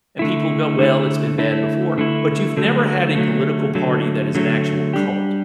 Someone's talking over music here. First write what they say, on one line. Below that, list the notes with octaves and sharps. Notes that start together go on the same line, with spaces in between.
and people go, "Well, it's been bad before," but you've never had a political party that is an actual cult
D3 A3 E4
D3 A3 E4
D3 A3 E4
D3 A3 E4
D3 F#3 A3
D3 F#3 A3
D3 F#3 A3
D3 F#3 A3
G3 D4 G4